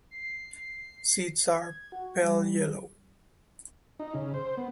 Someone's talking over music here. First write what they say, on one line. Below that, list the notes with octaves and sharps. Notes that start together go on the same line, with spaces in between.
Seeds are pale yellow.
C7
G#6
F#4
G3
D#4
C#3
C5
B3